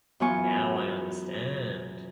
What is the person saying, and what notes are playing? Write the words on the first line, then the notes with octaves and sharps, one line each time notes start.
Now I understand.
F#2 E3 B3 F4 G#5 C#6